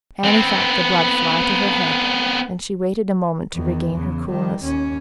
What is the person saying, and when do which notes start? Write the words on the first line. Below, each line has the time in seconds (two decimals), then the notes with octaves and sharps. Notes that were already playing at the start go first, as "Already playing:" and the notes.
Annie felt the blood fly to her head, and she waited a moment to regain her coolness.
0.24 B3 C4
3.55 E2 D#3
3.92 E2 C#3
4.29 D#3 G3
4.64 D#2 C#4